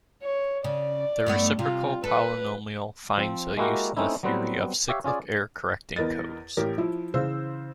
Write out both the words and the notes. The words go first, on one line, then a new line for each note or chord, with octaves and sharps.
The reciprocal polynomial finds a use in the theory of cyclic error correcting codes.
C#5
C#3 D5
G2 A3 B3
C3 F4
A4 B4
F3 C4
G#3 A#3 E4 F#4 G4 A#4
A3 C4 C#4 D#4 E4
F#3 G3 B3 C4 B4
G4 C#5 E5 F5
C#4 F4 G#4 D5
E2 A#4 B4 D#5 A6
A1 G4 A#4
F3 E4
C#3 E3 C5 F5 E6